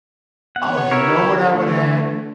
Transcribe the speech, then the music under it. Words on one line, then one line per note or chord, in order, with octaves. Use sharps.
Oh, you know what I would add?
B3 C#5 F#5
E4 G4 A#4 C#5
D3
A3